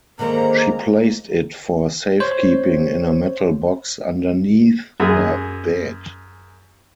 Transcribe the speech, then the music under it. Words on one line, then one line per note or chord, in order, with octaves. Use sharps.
She placed it for safekeeping in a metal box underneath her bed.
D3 D#3 G#3 A#3 C4 A#5
C5 C#5
F#2 G#4